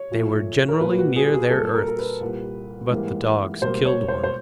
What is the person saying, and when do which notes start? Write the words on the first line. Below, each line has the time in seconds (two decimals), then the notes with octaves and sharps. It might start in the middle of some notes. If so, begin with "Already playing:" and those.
They were generally near their earths, but the dogs killed one.
Already playing: C#5
0.12 A#2 F3 A3
0.69 A#4
0.81 A#2 G3 A#3 B4
0.99 F#4
1.16 G#4
1.33 G#4
1.51 A#2 G3 A#3 A4
1.75 A#4
1.88 A#4
1.99 B4
2.21 C2 A#2 G3 A#3
2.91 G#2 E3 G3 A#3
3.62 C#2 B2 G3 A#3 C5
3.86 C#5
4.08 C5
4.24 C5